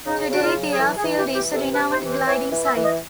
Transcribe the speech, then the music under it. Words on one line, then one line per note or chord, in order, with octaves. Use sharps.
Today, the airfield is a renowned gliding site.
C#3 D#4
C#3 F#4
F4
F#3
G#4
E3 A4
G#4
E3
G4
E3
G4
C3 A4
B4
C3
C5
E3
C5
E3 C#5
E3
E5
E3
D#5